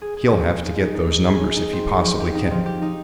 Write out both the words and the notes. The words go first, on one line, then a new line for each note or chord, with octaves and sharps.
He'll have to get those numbers if he possibly can.
G#4
G#4
F3
G#4
D#4
D#4
D#4
D#4
G#4
D#4
D#4
C4
D#4
F3
G4
D#4
F3
G4
D#4